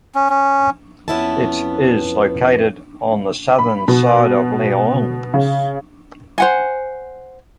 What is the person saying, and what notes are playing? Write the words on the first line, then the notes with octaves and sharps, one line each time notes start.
It is located on the southern side of Lyons.
C#4
C#4
F2 B3 C#4 E4 B4 A5
B5
B2
C#3
C5 F#5 G#5